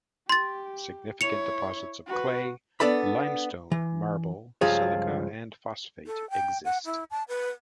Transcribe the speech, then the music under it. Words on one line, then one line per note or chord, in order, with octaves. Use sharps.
Significant deposits of clay, limestone, marble, silica, and phosphate exist.
G4 C6 A6
E4 C#5 C#7 F7
F#4 B4
B3 D4 A4 D5 B5
E3
C#2 G2 F3 F4 G#4 C#5
A4
G5
F#5
E4
A5
B4